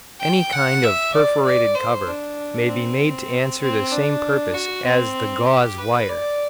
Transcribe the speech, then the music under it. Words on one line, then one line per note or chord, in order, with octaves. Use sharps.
Any kind of perforated cover may be made to answer the same purpose as the gauze wire.
G5
F#5
E5
D5
D5
C5
D4
C4
C4
D4
F#4
C4
G4
B4
D5